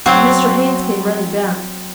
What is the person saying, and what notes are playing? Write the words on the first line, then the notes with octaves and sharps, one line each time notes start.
Mr. Haynes came running back.
F#3 C4